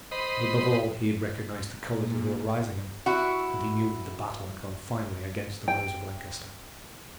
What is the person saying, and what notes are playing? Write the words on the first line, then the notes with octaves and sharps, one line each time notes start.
But above all, he had recognised the colours of Earl Risingham, and he knew that the battle had gone finally against the rose of Lancaster.
C5 D#5 B5
A#2
E4 F#4
G5